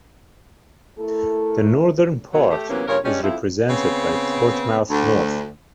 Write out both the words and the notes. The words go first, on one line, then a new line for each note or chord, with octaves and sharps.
The northern part is represented by Portsmouth North.
A3 E4 A4 A#4
B2 F#3
A3 G4
C3 E3 F#3 A#3 B3 C#4
G2 A#2 C#3 A#4 C#5
G2 G3 G#3 C#4
F2 F3 E4
C#3 B3 C4
D2